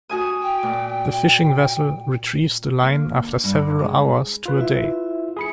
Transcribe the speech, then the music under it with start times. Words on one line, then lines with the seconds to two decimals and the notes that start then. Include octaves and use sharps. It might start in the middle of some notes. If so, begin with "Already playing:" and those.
The fishing vessel retrieves the line after several hours to a day.
0.09 F#4 G#5 D#6
0.43 G5
0.63 A#2
2.83 A#3
3.23 D3
3.44 G2
3.79 G#3
4.46 F4 B4
4.59 E4 E5
5.37 G#4 B5 C#7